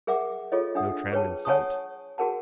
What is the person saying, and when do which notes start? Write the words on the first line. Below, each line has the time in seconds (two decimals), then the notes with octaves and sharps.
No tram in sight.
0.07 G#4 A#4 E5 F#5 D6
0.52 F4 G#4 A4 C#5 D#5
0.75 D4 E5 F#5 D#6
1.12 G#4 B4 C#5 G5 A5
1.45 C#5 F#5 G#5 A5 C#6 D#6
2.18 F#4 G#4 A#4 F#5 A5